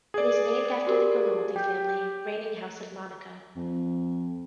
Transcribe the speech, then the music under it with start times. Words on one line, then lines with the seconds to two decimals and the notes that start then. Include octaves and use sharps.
It is named after the Grimaldi family, reigning house of Monaco.
0.14 G#4 D5
0.87 F#4 G4 A#4
1.56 G4 G5 G6
3.56 F2